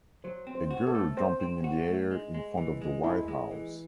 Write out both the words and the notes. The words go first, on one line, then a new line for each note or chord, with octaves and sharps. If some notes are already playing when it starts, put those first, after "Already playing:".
A girl jumping in the air in front of the White House.
F#3 C5
C4
C5
F#4
A4
A3
C4 C5
C4
F#4
A3
G#3
G#3
E3
G#3
G#3 E4
G#3
E3